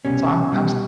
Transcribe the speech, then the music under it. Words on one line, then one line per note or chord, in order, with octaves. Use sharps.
So, I'm I'm s
C2 B2 G3 C#4
C2 B2 G3